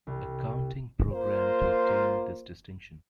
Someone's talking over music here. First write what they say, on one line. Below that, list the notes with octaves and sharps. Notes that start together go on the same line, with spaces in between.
Accounting programme to obtain this distinction.
C2
A#3 F4 A#4 C5